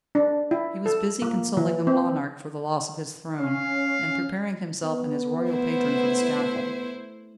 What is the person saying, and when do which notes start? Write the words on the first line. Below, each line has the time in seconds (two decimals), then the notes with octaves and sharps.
He was busy consoling a monarch for the loss of his throne, and preparing himself and his royal patron for the scaffold.
0.15 D4
0.51 E4
0.86 A4
1.22 A#3
1.57 E3
1.87 C4
3.39 C#4 F5
4.84 B3
5.50 A3 E4 C5